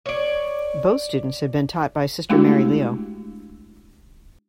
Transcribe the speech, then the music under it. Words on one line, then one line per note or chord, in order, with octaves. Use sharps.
Both students had been taught by Sister Mary Leo.
C#5 D5
G#3 A3 D4 E4 F#4 G4